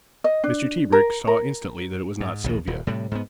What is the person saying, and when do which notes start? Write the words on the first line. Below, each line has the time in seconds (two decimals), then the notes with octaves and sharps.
Mr. Tebrick saw instantly that it was not Silvia.
0.24 D#5
0.44 D4
0.92 A#4
1.27 A#4
2.21 G#2
2.44 A#1 D#2 B2
2.67 D#1
2.87 A2 C3 G3
3.11 G#2 B3